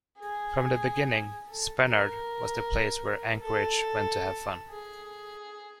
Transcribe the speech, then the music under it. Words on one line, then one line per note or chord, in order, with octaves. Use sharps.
From the beginning, Spenard was the place where Anchorage went to have fun.
G#4
A4
A#4
A4
G#4